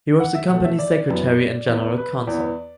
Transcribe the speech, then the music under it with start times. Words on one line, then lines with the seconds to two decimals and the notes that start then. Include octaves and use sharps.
He was the company Secretary and General Counsel.
0.20 F#5
0.35 E5
0.49 B2 A3 F#5
0.64 E5
0.79 D5
1.08 F#2 E3 B3
1.68 E2 E3 B3
1.97 B4
2.27 E2 E3 B3 D5